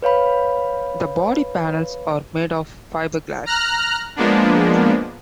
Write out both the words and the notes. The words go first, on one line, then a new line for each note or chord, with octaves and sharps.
The body panels are made of fiberglass.
B4 C#5 F5 B5
A#5 F6 F#6
F3 G#3 A#3 B3 D4